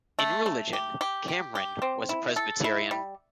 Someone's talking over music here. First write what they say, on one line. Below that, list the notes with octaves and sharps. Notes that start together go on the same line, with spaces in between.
In religion, Cameron was a Presbyterian.
A3
A3
G4
G4
G4
G4
C4
E4
A4
E4
G3